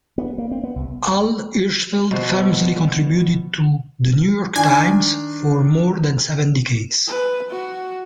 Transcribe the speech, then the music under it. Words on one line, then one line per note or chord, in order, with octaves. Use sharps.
Al Hirschfeld famously contributed to "The New York Times" for more than seven decades.
B3
A#3
C4
B3
C2
B2 F3 G3 B3 C5
D#3 D4 G#5
B4
F#4